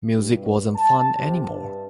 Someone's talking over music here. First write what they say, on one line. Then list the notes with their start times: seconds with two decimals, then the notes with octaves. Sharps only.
Music wasn't fun any more.
0.16 G2
0.76 A5
1.18 C3
1.50 G2